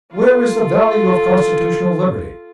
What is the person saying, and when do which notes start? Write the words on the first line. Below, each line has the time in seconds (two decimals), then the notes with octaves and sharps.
Where is the value of constitutional liberty?
0.11 F4 A4